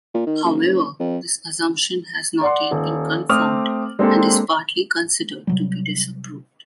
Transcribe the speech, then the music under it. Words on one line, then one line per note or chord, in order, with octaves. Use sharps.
However, this assumption has not yet been confirmed and is partly considered to be disproved.
A#2
D#3
F#1
F2
D5 F#5 C6
D#1
A3 C4 D6 D#6 F6 F7
G#3 A#3 C4 D4 G4 A4
C3 F#3 G3